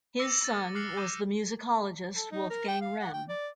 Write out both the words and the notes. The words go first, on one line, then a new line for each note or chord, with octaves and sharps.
His son was the musicologist Wolfgang Rehm.
D6 E6 A#6 C#7 D#7
A6
D6 F6 F#6 C7 C#7 F#7
D6 G6 A6 A#6 D#7 E7
A4
D#4
A#4
G5
F5
F#5
G5
D5